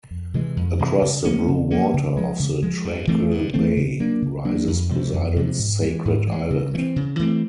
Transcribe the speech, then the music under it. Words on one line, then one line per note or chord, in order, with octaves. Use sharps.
Across the blue water of the tranquil bay rises Poseidon's sacred island.
F2
C3 E3 G#3
F2
C3 E3 G#3
C#3
F3 A#3 C#4
C#3
F3 A#3 C#4
C#3
F3 G#3
C#3
F3 G#3
G2
E3 A3 C4
G2
E3 A3 C4
C#3
F#3 A#3 D4
C#3
F#3 A#3 D4
F2
C3 F3 G#3
F2
C3 F3 G#3
G#2
E3 G#3
G#2
E3 G#3
C#3
E3 A3 C4
C#3
E3 A3 C4